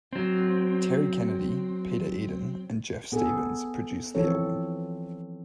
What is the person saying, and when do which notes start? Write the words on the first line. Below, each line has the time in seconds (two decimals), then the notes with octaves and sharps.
Terry Kennedy, Peter Eden, and Geoff Stephens produced the album.
0.13 F#3 C4
3.12 B3 G#4 A4
4.15 E3 F3 C4 A4 C#5